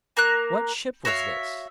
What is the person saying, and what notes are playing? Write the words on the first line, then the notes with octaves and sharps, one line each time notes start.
What ship was this?
A#3 A#4 F#6
F#4 C#5 E5 F5